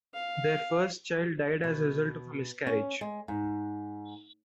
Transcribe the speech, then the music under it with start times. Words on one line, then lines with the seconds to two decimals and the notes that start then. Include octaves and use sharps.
Their first child died as a result of a miscarriage.
0.14 F5
1.64 B2
2.67 C#4
3.01 G#3
3.28 G#2